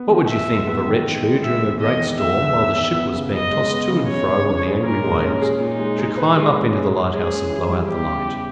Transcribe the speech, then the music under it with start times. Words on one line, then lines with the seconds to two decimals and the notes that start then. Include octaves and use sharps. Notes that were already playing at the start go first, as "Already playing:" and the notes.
What would you think of a wretch who, during a great storm, while the ship was being tossed to and fro on the angry waves, should climb up into the light-house and blow out the light?
Already playing: B3
0.09 D#3
0.29 D#3 E5
0.47 G#3
0.67 B3
0.86 D#3
1.05 D#3
1.23 G#3
1.43 G#3 E5
1.61 E2
1.80 E2 D#5
1.99 D#3
2.18 G#3 E5
2.37 E2
2.56 E2
2.75 D#3
2.94 B3
3.13 C#3
3.32 C#3 D#5
3.51 G#3
3.71 B3
3.89 C#3
4.08 C#3 C#5
4.27 G#3
4.46 C#4
4.65 G#4
4.84 A#2 A#4
5.03 G#3
5.22 C#4
5.41 G#4
5.60 A#2 D#4
5.79 G#3
5.98 G#4
6.17 B4
6.36 G#3
6.55 C#4
6.74 G#4
6.93 B4
7.12 G#3 G#4
7.30 C#4
7.50 E3
7.69 G3
7.88 E2 G4
8.07 C#3
8.26 E3